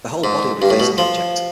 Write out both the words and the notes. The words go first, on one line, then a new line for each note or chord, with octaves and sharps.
Their whole body will be facing the object.
G#2
G2
A2
B2
F3